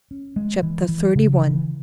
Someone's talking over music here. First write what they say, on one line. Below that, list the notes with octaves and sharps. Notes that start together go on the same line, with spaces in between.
Chapter XXXI.
C#4
G#3
E3
E3
C#3
E3